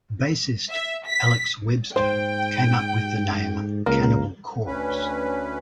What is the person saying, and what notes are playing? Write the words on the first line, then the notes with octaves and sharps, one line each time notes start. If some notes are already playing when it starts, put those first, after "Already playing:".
Bassist Alex Webster came up with the name Cannibal Corpse.
E5
B6
G#2 C5 G5
C#2 A#3
D2 C#4 B4